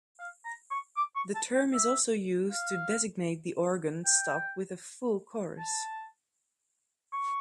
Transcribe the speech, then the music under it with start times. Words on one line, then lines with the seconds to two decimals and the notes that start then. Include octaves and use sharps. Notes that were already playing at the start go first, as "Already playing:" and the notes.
The term is also used to designate the organ stop with a full chorus.
0.19 F5
0.45 A#5
0.71 C#6
0.97 D6
1.16 C#6
1.35 A5
1.55 G5
1.73 E5
2.51 F5
4.05 G5
5.59 A5
7.13 C#6